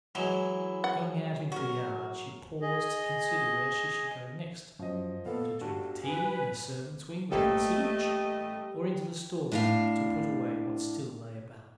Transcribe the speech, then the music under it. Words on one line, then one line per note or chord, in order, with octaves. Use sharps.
Going out into the yard she paused to consider where she should go next- -to drink tea in the servants' wing with Vasilich, or into the storeroom to put away what still lay about.
E3 F#3 G#3 E4
F#5
F#4 A#4
G#4 D#5
F#2 F3 D#5
A#2 B3 A4 F5
G1 F#4 G4 A5
B4 G#5
A1 G3 A3 A#3 A4 D#5
A2 D4 F5